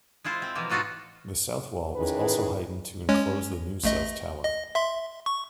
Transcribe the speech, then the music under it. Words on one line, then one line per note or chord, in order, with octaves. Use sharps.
The south wall was also heightened to enclose the new south tower.
G#3 E4 F4 C5
C4
B2 E3 F3 A#3
A2 D#4 F4 F#4 A4 B4
D#3 E3 C#4 G#4 B4
G#3 C#4 C#5
A1 A3 D#5
D#5
E5 C6
C#6